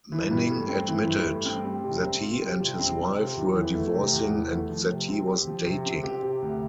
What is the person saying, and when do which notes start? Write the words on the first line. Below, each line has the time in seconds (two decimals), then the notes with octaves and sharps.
Manning admitted that he and his wife were divorcing and that he was dating.
0.12 E3
0.31 G2
0.50 A3
0.69 C4
0.88 E3
1.07 G2
1.26 A3
1.45 C4
1.65 G3
1.84 C3
2.03 C4
2.22 F4
2.41 G3
2.60 C3
2.79 C4
2.98 F4
3.17 C3
3.36 E2
3.56 E3
3.75 A3
3.94 C3
4.13 E2
4.32 E3
4.51 A3
4.70 F3
4.90 C3
5.09 C4
5.28 G4
5.47 F3
5.66 C3
5.86 C4
6.04 G4
6.23 C3
6.42 D2